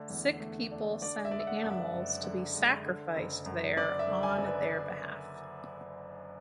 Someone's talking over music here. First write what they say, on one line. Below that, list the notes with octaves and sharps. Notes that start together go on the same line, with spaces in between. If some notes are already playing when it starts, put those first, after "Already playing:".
Sick people send animals to be sacrificed there on their behalf.
Already playing: D3 A3 D4
E2
A3
D4
D3 D5
E5
G#3 D5
E5
F#5
F#2
E5
F#1
D3
G#3
D3
F#1
F#2
F#1 D5
E5
D3
G#5
F#1
B4